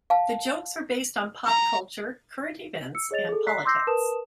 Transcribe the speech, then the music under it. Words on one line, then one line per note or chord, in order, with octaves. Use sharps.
The jokes are based on pop culture, current events, and politics.
F5 A5
A#5
E6 C#7
G#4 C#5 D#5 A6 F7
G#4 A4
D5 A#5 F#6 B6 C7
C6 D6 E6 G6 A#6 C7
A#4 B4 A5 D#6 E7